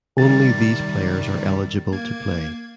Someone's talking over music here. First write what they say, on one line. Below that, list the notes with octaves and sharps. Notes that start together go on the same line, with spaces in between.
Only these players are eligible to play.
C3 D#3 G3 A6
A#3 G#6